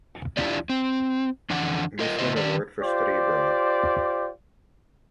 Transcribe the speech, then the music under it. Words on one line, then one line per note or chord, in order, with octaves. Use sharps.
Mifflin Award for study abroad.
D4 E4 F4 G4 D5
C4
F2 D3 E3 D4 F#5
F4 A#4 D#5
A2 C#3 E4 C5 D#5
D#3 A#4 D5
F4 G4 C5 D5